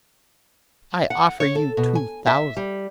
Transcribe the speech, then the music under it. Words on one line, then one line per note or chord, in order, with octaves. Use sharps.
"I offer you two thousand."
F#5
C#5
A4
B2
G#5
E5
G3